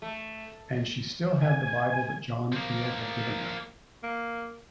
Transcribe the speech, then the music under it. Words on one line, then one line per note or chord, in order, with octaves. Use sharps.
And she still had the Bible that John Field had given her.
A3
G#5
F3 A#3
A#3